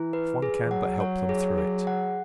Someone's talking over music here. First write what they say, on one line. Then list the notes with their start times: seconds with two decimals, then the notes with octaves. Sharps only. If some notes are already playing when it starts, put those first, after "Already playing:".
If one can but help them through it!
Already playing: E3 E4
0.13 B4
0.42 G#4
0.65 E3
0.71 F#3 F#5
1.00 C#5
1.29 G#4
1.58 G#4
1.87 F#5